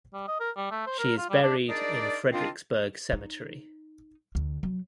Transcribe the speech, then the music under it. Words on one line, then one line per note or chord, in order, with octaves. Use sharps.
She is buried in Frederiksberg Cemetery.
G3
D#5
A#4
G3
A3
C5
A#4
F4
G3
D4
D4 D#4 G#4 A#4 D5
D#3 F3 C4 D4 F4
D#4
D2
F#3